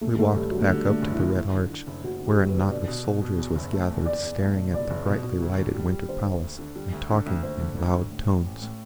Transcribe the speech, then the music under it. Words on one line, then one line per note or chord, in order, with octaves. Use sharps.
We walked back up to the Red Arch, where a knot of soldiers was gathered staring at the brightly-lighted Winter Palace and talking in loud tones.
F#2 A3
F#1 A3
F#1 G3
D3 F#3
A3
D3 G3
D3
A3
F#1
E4
F#1
F#1
D3
D3
F#1
F#1 F#4
D3
G4
F#2
B4
D3
B2 D5
B2
B2
B2
E2
F#1
A3
E2
F#1 D5
E2
A3
B2
F#1 D5
F#1
B2
B2
D2
D3
G3
G3
D3 C5
D2
D2
D3
G3
D2
D3
D2
D2 C5
D3
D2
D3
A2
A2
A1
A2